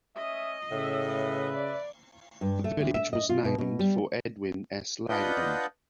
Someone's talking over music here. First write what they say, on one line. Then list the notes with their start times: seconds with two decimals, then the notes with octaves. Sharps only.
The village was named for Edwin S. Leland.
0.16 C#4 D#5 E5 D#6
0.71 A2 C#3 E5
1.06 B4 E5
1.54 D5
2.41 G2
2.64 A3
2.80 D2
2.94 E5
3.13 D#5
3.29 F4
3.45 B2
3.58 B2
3.79 G3
5.09 D4 F4 B4 D#5 F#5 G6